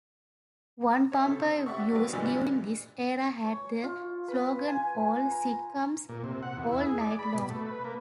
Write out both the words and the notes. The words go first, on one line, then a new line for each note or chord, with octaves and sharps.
One bumper used during this era had the slogan "All Sitcoms, All Night Long".
C#5 E5
C#3 C4 A4
G4 D5 E5 F#5 C#6
D3 F#3 G3 A#3 B3
A#2 D3 E3 G3 G#3 D4
C#5
F4
B4
G#5
A#5
A#2
C3
F#5
E2
E4
G#4
D5
B5
B2
A3
B4
A#3